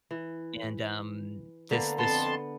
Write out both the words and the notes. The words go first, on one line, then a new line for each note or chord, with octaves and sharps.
and, um, this this
E3
D3 A#3 B3
F2 B3 A5 C6